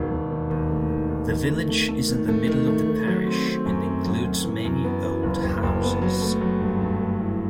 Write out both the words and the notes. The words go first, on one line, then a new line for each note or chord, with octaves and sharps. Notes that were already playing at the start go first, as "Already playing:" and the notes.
The village is in the middle of the parish, and includes many old houses.
Already playing: E1 D#3
E1
D#2
D#2
A3
D#3
D#2
D#3
A3
A3
A3
D#3
A3
D#3
A3
D#3
F#3
C4
C4
F#2
C4
F#3
F#2
E3
F#2
B3
E3
F#1
F#1
F#1
B3
F#3
A3
F#3
G2
G2
A3
E4